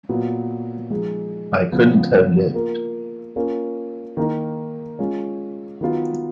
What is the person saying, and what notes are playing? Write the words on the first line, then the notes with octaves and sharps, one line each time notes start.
I couldn't have lived.
A#2 F#3 B3
F3 G#3 D#4 G#4
C#3 F3 B3
A#3 F4 A#4
A#3 C#4 F4 A#4
D#3 A#3 D#4 A#4
G#3 C#4 F4
D#3 F#3 B3 F4